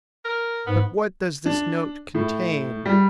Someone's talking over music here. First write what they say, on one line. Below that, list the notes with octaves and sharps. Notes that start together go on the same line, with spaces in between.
"But what does this note contain?"
A#4
G#2 B3
D4
A2
G3